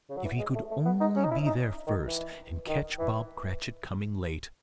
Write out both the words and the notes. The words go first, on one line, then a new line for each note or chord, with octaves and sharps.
If he could only be there first, and catch Bob Cratchit coming late!
C#3
F#3
E3
G#3
A3
A3
B3
D#4
C#4
D#4
E4
D#4
D#3
E3
D#3
E3